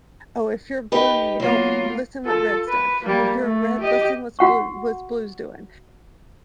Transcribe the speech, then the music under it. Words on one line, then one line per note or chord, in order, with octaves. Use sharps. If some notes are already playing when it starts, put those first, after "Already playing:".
"Oh, if you're blue, don't listen what reds done. If you're red, listen what's blue what's blue's doing,"
D#4 G4 B4
F#3 A#3 B3 F4
F4 A4
B4
G3 A#3
A3
G4 D#5
F#4 F#5 C#6